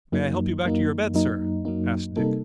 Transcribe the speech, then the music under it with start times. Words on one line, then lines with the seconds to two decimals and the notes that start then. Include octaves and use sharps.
"May I help you back to your bed, sir?" asked Dick.
0.12 F#2 F#3 A#3 D#4
0.64 F#2 F#3 A#3 D#4
1.14 F#2 F#3 A#3 D#4
1.65 F#2 F#3 A#3 D#4
2.16 C3 G3 A#3 D#4 A4